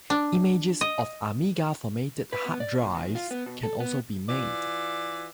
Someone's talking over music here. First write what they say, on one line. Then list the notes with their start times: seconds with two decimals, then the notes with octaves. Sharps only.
Images of Amiga formatted hard drives can also be made.
0.10 D4
0.81 D#5
2.33 B4
2.46 B3
2.60 D5
2.82 A#2
2.94 E2
3.15 F4
3.31 B3
3.46 B2
3.63 A4
3.80 B3
4.28 E3 F4 D5